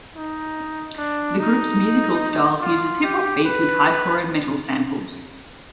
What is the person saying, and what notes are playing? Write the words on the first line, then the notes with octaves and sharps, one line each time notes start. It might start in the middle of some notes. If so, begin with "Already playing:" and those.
The group's musical style fuses hip hop beats with hardcore and metal samples.
D#4
D4
D#4
F4
G4
B4